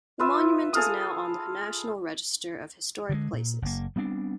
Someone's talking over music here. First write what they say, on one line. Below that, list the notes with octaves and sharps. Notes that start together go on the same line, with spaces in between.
The monument is now on the National Register of Historic Places.
F4 B4 E5 E6
G#4 A4 F5 D#6
D3 E3 G#3
A#2
F#1 A#3
G3 B3 C4 D4